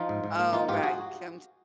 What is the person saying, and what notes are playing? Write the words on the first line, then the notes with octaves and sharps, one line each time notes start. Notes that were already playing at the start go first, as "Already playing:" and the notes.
Oh, right. Come t
Already playing: F3 D#4 F4
G#2
G#2
A#3
F3 D#4 F4
G#2 F4 G4
F#4 G#4